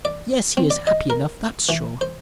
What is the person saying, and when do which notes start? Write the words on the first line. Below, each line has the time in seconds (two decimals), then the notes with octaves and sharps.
Yes, he is happy enough, that's sure!
0.05 D5
0.57 C4
0.70 D5
0.87 D#5
1.10 A#4
1.69 E3
2.01 C5